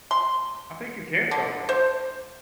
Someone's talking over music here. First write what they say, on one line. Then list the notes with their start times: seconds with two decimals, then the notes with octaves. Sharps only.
I think you can sell 'em.
0.11 C6
1.31 D3
1.69 C5